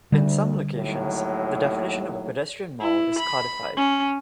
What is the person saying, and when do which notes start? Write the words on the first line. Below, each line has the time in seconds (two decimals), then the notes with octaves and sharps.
In some locations, the definition of a pedestrian mall is codified.
0.12 D2 D3 G3
0.76 D#2 A2 F#3
2.81 E4
3.19 B5
3.77 C#4